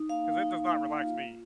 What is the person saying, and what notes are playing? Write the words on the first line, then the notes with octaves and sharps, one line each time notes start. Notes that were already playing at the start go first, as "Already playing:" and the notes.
'Cause it does not relax me.
Already playing: D#4
A#3 F5
D#4
A#3
F4